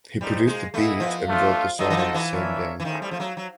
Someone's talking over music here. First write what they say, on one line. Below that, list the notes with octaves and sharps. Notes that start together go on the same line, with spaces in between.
He produced the beat and wrote the song on the same day.
G3 A#3 D#4 G#4 C5
G#3
A3 B3 E4 G#4 B4 D#5
F3
A3 D4 F4
F#3 D#4 F#4 A4 C5 D#5
E3
F3
E3
D4 F4 A#4 C#5 E5
E3
D#3 A3 C#4 E4 G#4 C5
G3
F3
F#3
F#3